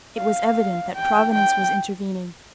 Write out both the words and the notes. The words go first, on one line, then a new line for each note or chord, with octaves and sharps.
It was evident that Providence was intervening.
F5
G5
G5